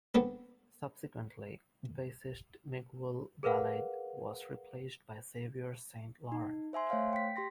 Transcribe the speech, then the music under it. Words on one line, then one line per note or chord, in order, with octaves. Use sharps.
Subsequently, bassist Miguel Valade was replaced by Xavier St-Laurent.
B3 C4 D4 A4
G#4 A#4 B4 F5 F#5
D#4
C5 E5 G#5 C6
A3 C5 C#5 F5 C6
G5 B6
G4 C6 A#6